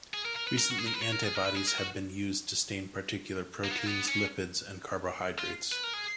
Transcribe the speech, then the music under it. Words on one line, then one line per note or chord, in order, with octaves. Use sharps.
Recently, antibodies have been used to stain particular proteins, lipids and carbohydrates.
G#4
A#4
A#4
B4
A#4
F#4
G#4
A#4
B4
C#5
A#4
G#4
A#4
B4
G#4
A#4
F#4
A#3
B3
A#3
B3
C#4
F4
B4
A#4
G#4